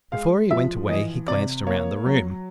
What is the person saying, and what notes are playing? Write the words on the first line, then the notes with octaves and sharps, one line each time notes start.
Before he went away, he glanced around the room.
G#3 F5
F3 E5
E3 D#5
C3 D5
A#3 C#5
F#3